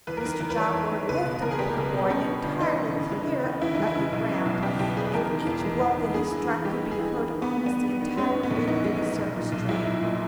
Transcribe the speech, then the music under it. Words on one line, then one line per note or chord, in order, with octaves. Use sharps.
Mr. Job Lord lifted the poor boy entirely clear of the ground, and each blow that he struck could be heard almost the entire length of the circus train.
E2 B4
A#4
D#3 B4
E2
B4
G3 C#5
E2
D#3
C#2 B4
B2
C#2 A#4
G#4
G3 G4
C#2
B2
G3 C#4
G2
G1
E3 D#4
G3
G2
G#3
C#3
D#2
E3 E4
G#3 D#4
E4
C#3
B1
B2
B1
G3 G4
B1 G4
B2 G#4
B4
E2 A#4
D#3
E2
G#3
E2
D#3
G2 G#4
E3
G2
G#3 G4
G2
G#4
E3
G2
D#3
B3
G2
G3 B3
G2
D#3
G#3 C#4
G#2 C#4
B3
A#1 C#4
E3 D#4
G#3
G#2
B1
A#2
B1
G#3 E4
B1
A#2